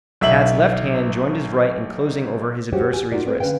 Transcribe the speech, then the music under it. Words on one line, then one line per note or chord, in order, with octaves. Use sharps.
Tad's left hand joined his right in closing over his adversary's wrist.
B1 E5 F#7
G#3 F#4 G4 C5 C#5
G4 G#5
D#4 F4 F#4 A#4 D5
A#3 C4 G#4 A#4 B4
D3 C#4 B4 F5 G5